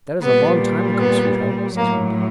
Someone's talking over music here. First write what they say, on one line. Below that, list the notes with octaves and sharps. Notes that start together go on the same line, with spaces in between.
"That is a long time ago, sweetheart," says Wendy.
A#2 G3 B3
B3
A2 F#3 A#3